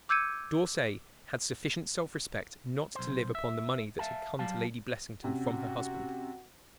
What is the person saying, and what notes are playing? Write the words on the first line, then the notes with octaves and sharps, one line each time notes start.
D'Orsay had sufficient self-respect not to live upon the money that had come to Lady Blessington from her husband.
D6 E6 G6 G#6 C#7 D#7
B1 C5
E5
E5 F5 A5
F#3 G3 F5 A5
C3 C#4 F#4